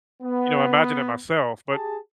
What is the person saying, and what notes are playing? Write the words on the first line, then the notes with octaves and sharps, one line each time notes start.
you know, imagine it myself, but
B3
G4 G#4 A5